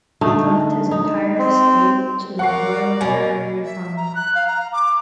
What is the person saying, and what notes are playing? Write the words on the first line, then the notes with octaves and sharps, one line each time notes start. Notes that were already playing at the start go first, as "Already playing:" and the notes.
He left his entire estate to the Royal Literary Fund.
D3 A3 D#4
D#4
C4
A#4 D5 F5 F#5 C#6 C7
B2 A#3 C#4 G#5
E5
A#5
F#6
F5
A#5
D6